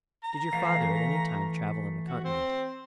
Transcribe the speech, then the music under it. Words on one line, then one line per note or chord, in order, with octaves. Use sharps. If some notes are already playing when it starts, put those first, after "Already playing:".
"Did your father, at any time, travel on the continent?"
A#5
E3 A3 F5
F#4
C4